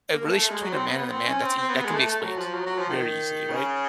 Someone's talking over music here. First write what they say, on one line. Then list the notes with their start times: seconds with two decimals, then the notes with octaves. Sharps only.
a a a relat between a man and a man, that's e that can be explained very easily, right?
0.14 A#3
0.25 A3
0.37 A3
0.50 G#3
0.62 F#3
0.73 C4
0.86 B3
0.98 B3
1.09 C4
1.26 C#4
1.42 C4
1.58 C4
1.69 B3
1.85 G#3
1.94 A3
2.06 A3
2.22 F#3
2.38 F3
2.54 F#3
2.66 F#3
2.78 F3
2.90 D#3
3.50 C#3